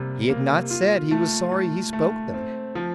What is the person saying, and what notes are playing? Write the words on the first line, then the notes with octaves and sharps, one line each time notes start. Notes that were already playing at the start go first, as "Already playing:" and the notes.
He had not said he was sorry he spoke them.
Already playing: C3 G3 A#3
A#3
F4
A3
A3
A3
C4
F3